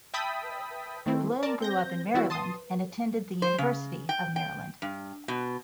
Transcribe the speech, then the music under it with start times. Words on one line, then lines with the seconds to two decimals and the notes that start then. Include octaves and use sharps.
Blum grew up in Maryland and attended The University of Maryland.
0.14 E5 G5 A5 B5 D#6 B6
1.06 D#3 A3 C4 E4
1.43 A#4 D5 A5
1.60 C4 G6 A#6
2.14 E3 G3 B3 E4 F#4
2.30 A5 C6 D#6
3.42 C5
3.58 C#3
4.09 G5
4.36 G5
4.82 G2
5.28 B2